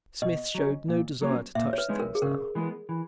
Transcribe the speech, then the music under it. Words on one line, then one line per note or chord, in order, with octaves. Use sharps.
Smith showed no desire to touch the things now.
B2 D#5
F#3 C#4
A#2
F#3 A#3 C#4
A#2 E5
C#5
B4
G#3 B3 D#4
A#4
G#4
C#3 A#4
E3 G#3 B3
E3